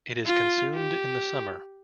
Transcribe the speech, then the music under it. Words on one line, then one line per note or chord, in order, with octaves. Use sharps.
It is consumed in the summer.
F4
G4